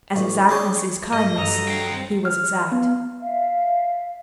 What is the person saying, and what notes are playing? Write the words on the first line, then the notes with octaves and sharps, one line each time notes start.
As exactness is kindness, he was exact.
A1
D4 G#4 C#5 G5
G#2 D#5
G2 F#3 A4 A#5 D#6
F5 G5
G3 C4
F6
B3
E5 F5